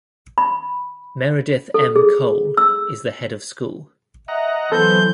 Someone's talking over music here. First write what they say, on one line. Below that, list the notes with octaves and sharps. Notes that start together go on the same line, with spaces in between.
Meredyth M. Cole is the Head of School.
B5
A4
G#4
E6
D#5 E5 F#5 A#5
E3 F#3 B3 A4 C5 G6